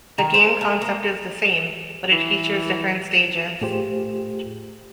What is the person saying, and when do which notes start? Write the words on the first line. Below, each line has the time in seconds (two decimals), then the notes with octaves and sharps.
The game concept is the same, but it features different stages.
0.18 D#3
0.34 C5
0.61 A3
0.81 A#3
2.12 E3
3.61 A2 A3 F4 G4 G#4 C5